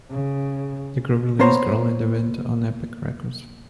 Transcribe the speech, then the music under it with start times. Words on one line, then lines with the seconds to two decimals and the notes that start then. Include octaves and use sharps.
The group released "Girl in the Wind" on Epic Records.
0.10 C#3
1.40 A#3 B3 C5 C#5 A#5